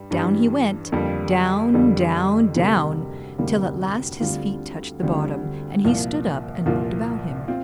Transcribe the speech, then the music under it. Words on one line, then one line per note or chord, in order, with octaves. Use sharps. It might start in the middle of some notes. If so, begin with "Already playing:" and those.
Down he went, down, down, down, till at last his feet touched the bottom, and he stood up and looked about him.
Already playing: G2 G3
G2 E3 G3
F2 D3 G3 A#3
F2 D3 G3 A#3
D2 C3 G3 A#3
D2 C3 G3 A#3
D2 D3 G3 C4 F4
D2 D3 G3 C4 F4
C2 A#2 F3 A#3 F4
C2 A#2 F3 A#3 F4
C4 F4